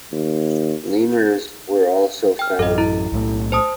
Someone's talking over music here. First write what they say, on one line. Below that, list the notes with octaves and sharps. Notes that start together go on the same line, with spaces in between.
Lemurs were also found.
D#2
G5 F6
A1 F#2 A4 D#5
E4 A#5
B1 A2 A3
C5 A5 D#6